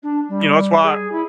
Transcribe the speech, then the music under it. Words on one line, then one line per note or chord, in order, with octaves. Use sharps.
You know, that's why
D4
G3
G#4
E4